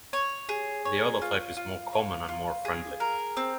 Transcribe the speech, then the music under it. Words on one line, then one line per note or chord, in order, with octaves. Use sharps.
The other type is more common and more friendly.
C#5
G#4
C#5
F4
F4
C#5
F4
G#4
A#4
C4